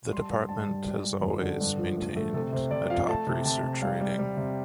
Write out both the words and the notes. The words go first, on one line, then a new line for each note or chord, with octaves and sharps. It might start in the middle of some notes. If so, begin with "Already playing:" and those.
The department has always maintained a top research rating.
G3 C6
A5
G2 C6
G2 A5
G3
G3
G3
F2
D3
G2
F3
A3
A3
C3 A4
C3 C5
C3 D5
F3 F5
A3 A5
C3
C3 A5
C3
G3 F5
G3
G3
C3